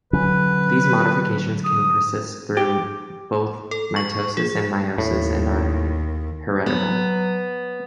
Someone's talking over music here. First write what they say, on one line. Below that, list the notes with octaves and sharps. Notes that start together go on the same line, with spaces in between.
These modifications can persist through both mitosis and meiosis and are heritable.
D3 F#3 C#4 B4
D#6
G4
A4
C#6
G#4
D#2 A2
F#3 B3